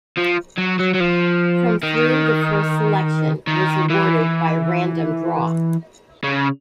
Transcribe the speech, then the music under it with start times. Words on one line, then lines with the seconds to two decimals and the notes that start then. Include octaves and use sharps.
From through the first selection was awarded by a random draw.
0.18 F3
0.58 F#3
0.79 F#3
0.95 F#3
1.00 F3
1.83 D#3
3.48 D#3
3.90 E3
6.24 C#3